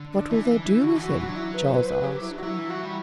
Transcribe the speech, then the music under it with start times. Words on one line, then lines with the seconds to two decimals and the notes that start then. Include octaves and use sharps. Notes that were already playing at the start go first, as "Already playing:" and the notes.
"What will they do with him?" Charles asked.
Already playing: D3
0.13 D4
0.30 E3 E4
0.44 E4
0.48 D4
0.65 E4
0.83 D3 F#4
0.96 E3 F#4
1.10 E3
1.19 F#3 F#4
1.29 D4
1.36 E4
1.54 B4
1.67 C5
1.72 B4
1.85 C5
1.89 B4
2.04 G4
2.20 E4
2.30 D4
2.38 F#4
2.43 F#3 E4
2.57 E3
2.70 F#3 F#4
2.83 G3